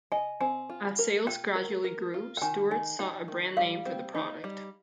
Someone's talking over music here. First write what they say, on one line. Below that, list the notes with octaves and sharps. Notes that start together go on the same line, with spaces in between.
As sales gradually grew, Stuart sought a brand name for the product.
D#5 G#5
C4 G#5
F4
A#4
F4 G5
A#4
A#4
F4
G5
D#3 G#5
D#4 G#5
D#4 G5
D#3
G3 F5
C4
D#4
G3